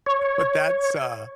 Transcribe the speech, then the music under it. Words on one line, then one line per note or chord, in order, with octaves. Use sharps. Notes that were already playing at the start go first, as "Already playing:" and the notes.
but that's, uh
C#5